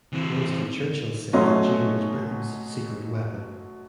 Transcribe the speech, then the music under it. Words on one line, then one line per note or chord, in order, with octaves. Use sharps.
Winston Churchill said that Jane was Britain's "secret weapon".
E3 C4
B2 F#3 A3 C#4 D#5 C6